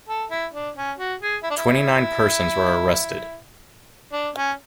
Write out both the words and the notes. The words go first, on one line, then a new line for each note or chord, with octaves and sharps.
Twenty-nine persons were arrested.
A4
E4
D4
C#4
F#4
G#4
E4
D4
E4
D4
C#4